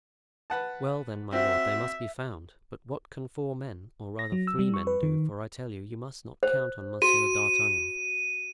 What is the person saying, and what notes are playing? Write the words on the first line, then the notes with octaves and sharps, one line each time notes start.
"Well, then, my lord, they must be found; but what can four men, or rather three men do--for I tell you, you must not count on Monsieur d'Artagnan."
B4 F#5 A5
C4 F#4 E5
A#6
F#3
E6
G3
C#6
B4
D#3
C5
F#4 D#7